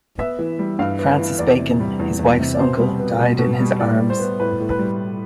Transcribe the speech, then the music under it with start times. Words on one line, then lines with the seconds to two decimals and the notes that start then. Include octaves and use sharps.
Francis Bacon, his wife's uncle, died in his arms.
0.19 B3 E5
0.39 E3
0.59 G3
0.79 G2 F5
0.99 B3
1.19 E3
1.39 E2 D5
1.59 C3
1.80 G3
2.00 E2
2.19 E2
2.40 C3
2.54 D5
2.59 B2 C5
2.79 G3
2.99 B3
3.19 B2
3.39 B2
3.60 G3
3.79 A2 D5
4.00 G3
4.10 C5
4.19 B3
4.40 A2 B4
4.60 A2
4.70 B4
4.79 G3